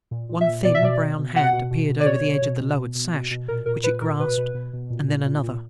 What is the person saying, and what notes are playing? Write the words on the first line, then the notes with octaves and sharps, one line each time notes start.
One thin, brown hand appeared over the edge of the lowered sash, which it grasped--and then another.
A#2
A#2
E5
A#2
B2 D5
E5
B2 D5
B2
B2
B2 F#5
B2
B2
B2
D5
B2 C#5
B2
B2
B2
B2
B2
B2
B2
A#2 A#4
A#2 A#4
A#2 B4
A#2 A#4
B2 B4
B2
B2
B2
A#2
A#2
A#2
A#2